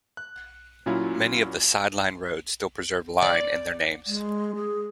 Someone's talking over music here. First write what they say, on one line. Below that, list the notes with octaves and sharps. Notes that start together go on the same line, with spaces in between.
Many of the "sideline" roads still preserve "Line" in their names.
F#6
A#2 F#3 C#4 E4 F4
D5
G#3
G#4